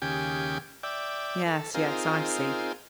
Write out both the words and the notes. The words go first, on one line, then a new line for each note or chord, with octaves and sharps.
Yes, yes; I see.
D#2 C#3 G4 G5 G#5
D5 E5 G5
A4
C4 D#4 F4 G#4 A#4